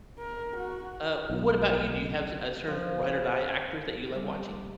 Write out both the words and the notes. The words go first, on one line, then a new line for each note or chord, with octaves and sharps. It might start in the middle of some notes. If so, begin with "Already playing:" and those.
uh, what about you? Do you have a certain ride or die actors that you love watching?
A#4
F#4
B1
F3
E4
G3